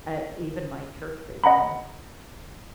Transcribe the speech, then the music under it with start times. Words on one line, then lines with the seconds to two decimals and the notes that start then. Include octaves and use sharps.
uh, even my church business.
1.44 D#5 F#5 A#5 B5